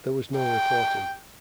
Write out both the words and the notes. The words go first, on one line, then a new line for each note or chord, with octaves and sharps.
There was no reporting.
G5